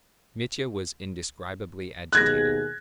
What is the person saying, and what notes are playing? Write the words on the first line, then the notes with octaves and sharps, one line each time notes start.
Mitya was indescribably agitated.
D#2 B2 G#4 F#6 G#6 A#6